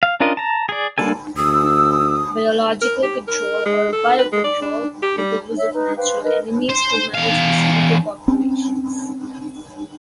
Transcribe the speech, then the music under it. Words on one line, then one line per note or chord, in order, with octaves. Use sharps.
Biological control or "biocontrol" is the use of natural enemies to manage mosquito populations.
F5
C#4 D4 F4 A#4 D#5
A5 A#5
G#4 D5
G3 A#3 D4 A4 G#5
D2 D#6 E6
A#4
G4
A#4
G#3
A4
B4
G#3
D5
D4
G4
G3
C#5 E5 E6
D#4 B4
G4 B4 C5 F5
A#4 B4 D#5
C5
E2 F5
C4 C#4